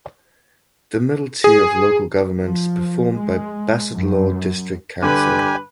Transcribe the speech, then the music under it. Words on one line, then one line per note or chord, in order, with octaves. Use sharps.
The middle tier of local government is performed by Bassetlaw District Council.
G#4
F3
G#3
F#2
G2 D3 G4 B4 G#5